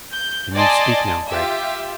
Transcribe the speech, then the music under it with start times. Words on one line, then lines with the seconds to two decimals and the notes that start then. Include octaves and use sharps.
"Can you speak now, Gregg?"
0.13 G6
0.56 D5 D#5 G#5 A5 C6
1.28 F4 G4 E5